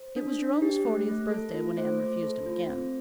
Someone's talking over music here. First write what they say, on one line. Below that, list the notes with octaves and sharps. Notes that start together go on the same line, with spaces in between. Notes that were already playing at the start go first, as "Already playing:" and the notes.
It was Jerome's fortieth birthday when Anne refused him again.
Already playing: C5
D4
D4
G4
A3
A3
A4
F4
A3 C5
A3
A4
F4
C4